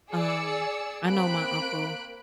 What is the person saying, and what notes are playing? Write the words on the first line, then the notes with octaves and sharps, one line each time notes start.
um, I know my uncle
G#4 D5 E6 C#7
A#3 C4 B5 F#6 D7